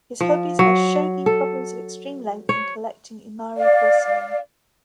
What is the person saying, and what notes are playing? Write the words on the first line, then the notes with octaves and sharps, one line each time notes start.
His hobbies are shogi problems of extreme length and collecting Imari porcelain.
F3
F#3
A4
C#5
D5 F5